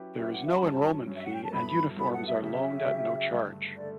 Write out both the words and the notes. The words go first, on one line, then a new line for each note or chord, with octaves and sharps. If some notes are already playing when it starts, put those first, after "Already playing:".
There is no enrollment fee and uniforms are loaned at no charge.
Already playing: F#3 C#4 E4 G4 B4
F#3 C#4 E4 G4 B4 E5
F#5
E5
B5
G2 F#3 C#4 A5
G2 F#3 C#4
E5
F#5
G5
A5
G2 F#3 B3 E4 A4 B5
G2 F#3 B3 E4 A4 B5
F#5
E5
C#3 F#3 C#4 G4 E5
C#3 F#3 C#4 G4
G2 D3 A3
D3 A3 D5